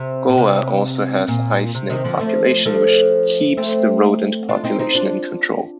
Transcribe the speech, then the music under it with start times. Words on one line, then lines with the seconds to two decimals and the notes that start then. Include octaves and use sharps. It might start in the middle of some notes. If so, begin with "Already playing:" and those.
Goa also has a high snake population, which keeps the rodent population in control.
Already playing: C3
0.29 A#2
0.37 C3
1.28 A#2
1.75 C3
1.90 C3 D#3
2.04 D3 F3
2.20 F3 A3
2.65 F3 A3
3.57 A3 C4
4.49 D4 F4
4.64 C4 D#4
4.79 C4 D#4
4.95 D4 F4